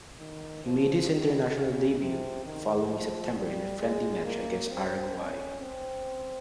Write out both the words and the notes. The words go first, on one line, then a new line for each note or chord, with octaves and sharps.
He made his international debut the following September in a friendly match against Paraguay.
D#3
F3
D#3
C#3
C3
D#3
F3
G3
G#3
A#3
C4
C#4
C4